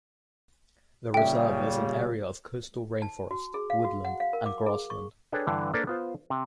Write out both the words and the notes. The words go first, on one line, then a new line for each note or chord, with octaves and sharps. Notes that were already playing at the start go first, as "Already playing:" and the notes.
The reserve is an area of coastal rainforest, woodland and grassland.
A#2 C#3 G3 E5 G5
A5
F#4
G#4
F5
F#4
F#5
F5
A#4
D6
G#4
C#6
D4 G#4 A4 B4 C#5 G5
G2 D3 E3
A#3 D4 A4 B4 C5 D5
B3 F4 C5
C3